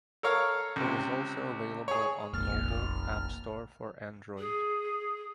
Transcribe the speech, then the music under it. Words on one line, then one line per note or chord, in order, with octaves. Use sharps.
It is also available on mobile App Store for Android.
A4 A#4 C#5 F5
C#2 C3
G#4 C#5
F1 A#1 A#3 F6 A6
G#4